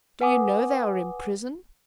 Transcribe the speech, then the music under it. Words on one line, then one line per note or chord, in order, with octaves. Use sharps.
"Do you know they are in prison?"
B4 F#5 G#5 D6 D#6